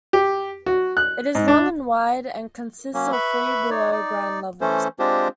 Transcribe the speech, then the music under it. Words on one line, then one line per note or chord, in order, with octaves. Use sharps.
It is long and wide, and consists of three below-ground levels.
G4
F#4
F#6
G#2
D4
F#3 A#3 C#4
B4 E5 B5 C#6
D#4 C#5 D5
D#4 D5
E3 A3 C#4 A4 C5
G#3 C4 D4 F4 G4 C5